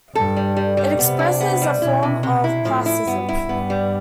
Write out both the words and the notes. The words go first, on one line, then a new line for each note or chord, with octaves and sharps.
It expresses a form of classism.
G2 A4
G3
G3
G3
C3 B3
D4
B3
G3
B2 E4
C3
C3
E4
A2 F3
E4
G2 B3
E4
G2 B3
G3